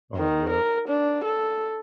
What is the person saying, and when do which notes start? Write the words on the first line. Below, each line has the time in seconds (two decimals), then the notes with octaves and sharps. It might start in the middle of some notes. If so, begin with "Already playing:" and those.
Oh, yep.
0.17 D#3
0.50 A#4
0.88 D4
1.24 A4